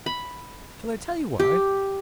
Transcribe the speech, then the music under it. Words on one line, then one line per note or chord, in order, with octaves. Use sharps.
Shall I tell you why?
B5
G4